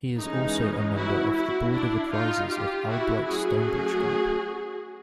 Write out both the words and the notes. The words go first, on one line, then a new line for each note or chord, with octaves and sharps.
He is also a member of the Board of Advisors of Albright Stonebridge Group.
E3 G#3 C#4 D#4
E4 F#4
E4 F#4
D4 E4
D#4 F4
F4 G4
E4 F#4
F#3 A3 C#4 F#4 G#4